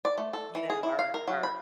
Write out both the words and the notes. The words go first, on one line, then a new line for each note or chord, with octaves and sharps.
you know, our our,
D5
A3
A4
E3
G#4
E4
F5
A#4
F#3
B5